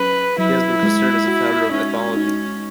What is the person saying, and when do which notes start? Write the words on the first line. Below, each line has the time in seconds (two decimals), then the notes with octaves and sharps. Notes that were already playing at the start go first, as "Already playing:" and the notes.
He has been considered as a founder of ethology.
Already playing: F#3 C#4 G#4 B4
0.38 F#3 E4
0.83 G#3
1.28 F#4
1.72 C#4 D#4
2.17 D#4